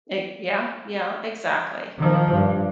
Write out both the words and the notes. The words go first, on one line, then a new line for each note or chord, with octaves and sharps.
E yeah, yeah, exactly.
D#3 F3
G2